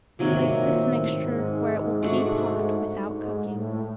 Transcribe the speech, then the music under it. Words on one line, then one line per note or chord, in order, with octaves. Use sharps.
Place this mixture where it will keep hot without cooking.
G#2 C3 D#3 F#3 A#3
A#2
A2
G#2
A3 D4 F#4
G#2
A2